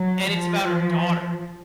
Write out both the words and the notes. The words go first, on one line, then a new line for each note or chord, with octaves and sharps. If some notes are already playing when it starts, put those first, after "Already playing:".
and it's about her daughter.
Already playing: F#3
F3